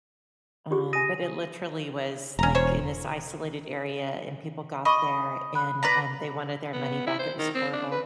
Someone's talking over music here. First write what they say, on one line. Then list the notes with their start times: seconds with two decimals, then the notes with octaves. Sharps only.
Um, but it literally was, like, in this isolated area, and people got there, and, um, they wanted their money back. It was horrible.
0.71 F4 G4 G#4
0.93 G#5 D#6 A#6 D#7
2.39 E1 C#4 A#5
2.55 C5 C#5
4.85 D#5 B5 C#6 D6
5.55 B5 F#6
5.83 B4 D5 A#5
6.73 B3
7.07 E4
7.19 C5
7.38 D#3
7.55 C4
7.73 D4
7.92 B4